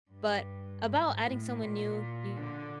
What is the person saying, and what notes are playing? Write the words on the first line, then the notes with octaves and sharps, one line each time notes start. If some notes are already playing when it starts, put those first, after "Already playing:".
but about adding someone new, you
G2
G#2
A2
A#2
D3